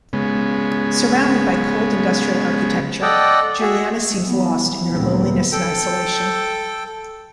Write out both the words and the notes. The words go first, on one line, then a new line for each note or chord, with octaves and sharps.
Surrounded by cold industrial architecture, Giuliana seems lost in her loneliness and isolation.
C#3 G#3 B3
A4 D5 D#5 F#5 G5
F#4 G#4 E5
E3 G3 B3
D2 A#2 G3 G#3 B3 C4
A4 G5